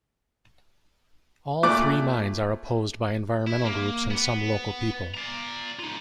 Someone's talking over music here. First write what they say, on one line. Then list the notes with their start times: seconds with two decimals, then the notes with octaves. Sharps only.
All three mines are opposed by environmental groups and some local people.
1.63 A#2 A3 D5 D6 F#6
3.47 E4
3.65 A#3
4.10 B3
5.15 D5 A#5
5.79 D#4 F4